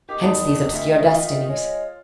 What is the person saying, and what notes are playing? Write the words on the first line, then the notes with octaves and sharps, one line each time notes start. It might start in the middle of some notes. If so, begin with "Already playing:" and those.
Hence these obscure destinies.
D#3 G4 D6
E2 D#4 A5 D#6
D2 E5
F4
G#3 C#5